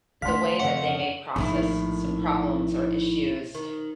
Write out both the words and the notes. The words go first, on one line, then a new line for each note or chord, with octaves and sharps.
the way that they may process some problems or issues.
D#3 A3 D4 F5 F#5 C6 B6
F2 C#3 C#5 F#5
A#1 A2 D#3 E4
D#3